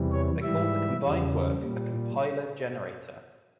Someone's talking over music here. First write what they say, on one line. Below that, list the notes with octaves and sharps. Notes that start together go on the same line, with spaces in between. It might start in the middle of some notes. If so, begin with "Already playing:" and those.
They called the combined work a 'compiler generator'.
Already playing: E2 C3 E3 G3
C#5
G#2 E3 G3 E5
E2 C#3 G3
A#2 G3